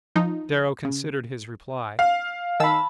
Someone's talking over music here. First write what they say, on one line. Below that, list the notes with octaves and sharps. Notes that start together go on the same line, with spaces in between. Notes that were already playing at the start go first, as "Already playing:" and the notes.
Darrow considered his reply.
F3 D#4
C#3
F5
D#3 A5 B5 E6